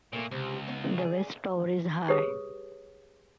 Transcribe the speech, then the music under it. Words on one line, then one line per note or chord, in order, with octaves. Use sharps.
The west tower is high.
A#2 A3 A#3 E4
C#2 C3
B3 D#4
G#4 D5
G4 G#4 B4 C#5 D#6